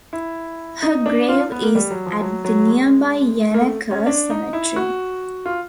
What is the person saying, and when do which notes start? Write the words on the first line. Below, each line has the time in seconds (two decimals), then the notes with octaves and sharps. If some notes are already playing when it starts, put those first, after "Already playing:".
Her grave is at the nearby Yanaka Cemetery.
0.13 E4
0.82 D#4
1.06 D4
1.29 F4
1.52 B3
1.63 A#3
1.75 G3
1.91 F#3
2.06 F3
2.21 F#3
2.45 F#3
2.67 G#3
3.54 A#3
3.60 A3
3.91 C#4
4.06 D4
4.30 D#4
4.53 E4
4.76 F#4
5.46 F4